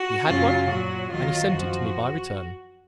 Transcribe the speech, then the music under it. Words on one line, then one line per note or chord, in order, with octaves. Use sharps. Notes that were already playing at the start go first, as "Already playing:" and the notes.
He had one, and he sent it to me by return.
Already playing: F#4
F#2 C#3 F#3 F4
A#2 F#3 F#4
D#2 D#3 F#3 F4
F#2 F3 F#4